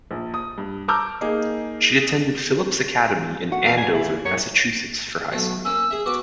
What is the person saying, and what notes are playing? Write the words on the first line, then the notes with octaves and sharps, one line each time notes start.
She attended Phillips Academy in Andover, Massachusetts for high school.
A#1
D#6
G2
A5 A#5 D6 E6 F6 G6
A#3 D#4 G#4
F#4 F#5
E2 F5
G#5
E4
F#2 C#5
B1 A3
A#3 C#4 E6
G#4 E5
B3 F#4 D6